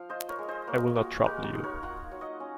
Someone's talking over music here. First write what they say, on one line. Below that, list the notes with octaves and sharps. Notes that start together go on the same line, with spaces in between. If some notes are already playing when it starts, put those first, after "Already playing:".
I will not trouble you.
Already playing: F3 F5
F4 C5 D#5
A#4 C#5
G#3
C5 D#5
A#3 A#4 C#5
F4 F#4 A#4
G#3 F#4 A#4
F#4
D#4
A#4 C#5
F4 F#5 A#5
F#3
D#5 F#5
C#4